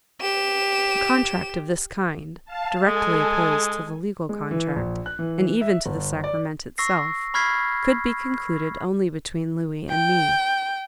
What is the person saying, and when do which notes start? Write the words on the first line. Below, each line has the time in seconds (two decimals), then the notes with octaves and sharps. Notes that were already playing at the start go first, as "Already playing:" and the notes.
A contract of this kind, directly opposed to the legal contract, and even to the sacrament itself, could be concluded only between Louis and me.
0.21 G4 E7
2.45 F5 A5
2.85 G#3 A4 G#5
4.29 G#3
4.51 E3
4.76 A#1
5.06 F#6
5.19 E3
5.61 E5
5.86 G1
6.24 D5
6.78 C#6 E6 A#6 C7
7.34 B5 C#6 F6 G#6 B6 C7
9.91 G5